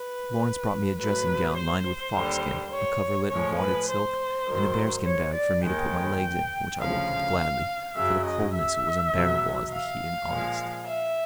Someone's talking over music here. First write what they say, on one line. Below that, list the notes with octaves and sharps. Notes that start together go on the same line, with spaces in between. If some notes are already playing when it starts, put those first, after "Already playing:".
Lawrence brought me a dressing-gown lined with foxskin, a coverlet of wadded silk, and a bear- skin bag for me to put my legs in, which I welcomed gladly, for the coldness was unbearable as the heat in August.
Already playing: B4
A2 F#3 B4
C5
D#2 D3 G3
C#5
A2 F3 G#3 C#5
B4
C5
G#2 D#3 F#3
C#5
D5
D#2 D#3 G#3 G5
D2 C#3 F3 F5
F#2 C#3 F#3 E5
D#5
E5
E2 B2 F#3
F5
A#2 F3 G#3
E5